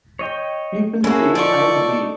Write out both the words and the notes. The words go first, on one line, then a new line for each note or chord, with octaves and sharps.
People say I'm gay...
C#5 D#5 G5
A#3 C#4 E4 F#4 G#4 A4
F3 D#4 C#5 D5 C#6